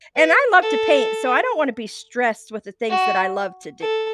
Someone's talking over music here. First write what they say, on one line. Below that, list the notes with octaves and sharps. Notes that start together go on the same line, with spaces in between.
And I love to paint, so I don't wanna be stressed with the things that I love to do,
B4
A4
F#4
A4